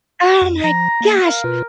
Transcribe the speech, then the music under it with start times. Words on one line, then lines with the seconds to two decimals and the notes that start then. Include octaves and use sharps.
Oh my gosh.
0.42 F2
0.64 F3 A#5
1.01 A#3
1.26 A#4 F5
1.44 B2 F4 B4